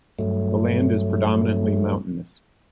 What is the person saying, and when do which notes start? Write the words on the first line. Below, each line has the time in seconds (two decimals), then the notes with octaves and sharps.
The land is predominantly mountainous.
0.19 G2 F#3 A3